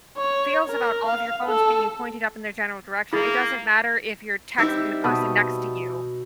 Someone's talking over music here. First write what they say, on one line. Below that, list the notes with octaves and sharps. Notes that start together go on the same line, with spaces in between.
feels about all of your phones being pointed up in their general direction. It doesn't matter if you're texting the person next to you.
C#5
A#4
F5
A4
A#3 E4 G#4 A6
G3 C4 D#4 E4 E6
B2 A5 B5 D#6